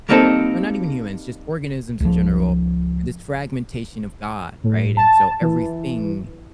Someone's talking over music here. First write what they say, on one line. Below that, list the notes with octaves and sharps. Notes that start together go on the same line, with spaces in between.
or not even humans, just organisms in general, we're this fragmentation of God, right, and so everything
G3 A#3 C4 D#4 A4
C#2 F3
A2
A5
E3